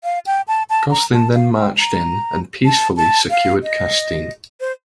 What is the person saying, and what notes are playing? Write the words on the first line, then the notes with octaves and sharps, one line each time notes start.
Gosselin then marched in and peacefully secured Castine.
F5
G5
A5
A5
A#5
A5
F5
G5
A#5
A5
A5
F5
D#5
C5